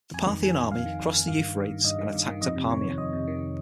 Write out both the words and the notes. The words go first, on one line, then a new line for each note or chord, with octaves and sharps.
The Parthian army crossed the Euphrates and attacked Apamea.
F2 G#5
D#3
F2 G#5
D#3
F2 F5
D#3
F2
D#3
G2 F5
D#3
G2
D#3
G2 D#5
D#3
G2
D#3
F2 D#5
C3
D#3 C#5
F2
F2 D#5
C3
D#3